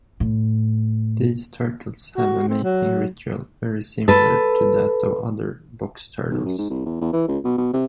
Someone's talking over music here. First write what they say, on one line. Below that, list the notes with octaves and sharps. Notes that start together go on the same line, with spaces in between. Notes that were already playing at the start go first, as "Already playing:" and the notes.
These turtles have a mating ritual very similar to that of other box turtles.
A2
F#4
C4
F#3
A4 B4
B1
F#2
G#2
C2
E2
E2
E3
C#2
B2
B2
C3